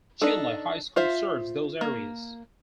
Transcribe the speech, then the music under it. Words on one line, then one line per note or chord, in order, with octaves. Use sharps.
Chinle High School serves those areas.
D4 D#4 A4
F4 C5 E5
A#3